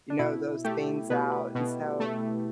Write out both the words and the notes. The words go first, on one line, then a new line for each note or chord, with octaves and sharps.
you know, those things out, and so,
D4
B2 E4
A3 G4
B2 B4
B4
B2
A3